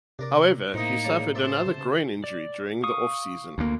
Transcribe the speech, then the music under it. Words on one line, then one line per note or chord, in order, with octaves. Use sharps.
However, he suffered another groin injury during the offseason.
C3 D4 A#4 D5
A2 C3 A#3 D#4 D#5
C#3 G3 A5
A4 C5 D5 E5 A5
C#3
D5
F5 C#6 D#6
D2 A#3